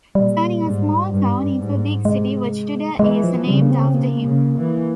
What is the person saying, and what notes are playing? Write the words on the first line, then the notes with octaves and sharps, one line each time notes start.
Turning a small town into a big city which today is named after him.
A#2 G3
G#2
G2
G#2
C3 G#3
E3 G#3
F3
C#3 G3
A#3
C4
C3 A#3
C#3
E3